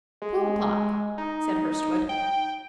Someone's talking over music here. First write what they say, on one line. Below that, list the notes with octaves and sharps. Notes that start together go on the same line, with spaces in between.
"Twelve o'clock," said Hurstwood.
G#3
D#4
G5